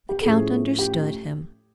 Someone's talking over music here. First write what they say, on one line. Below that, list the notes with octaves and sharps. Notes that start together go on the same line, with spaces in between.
The count understood him.
G4
A4
A2 F3 A3 C#4 G#4
G4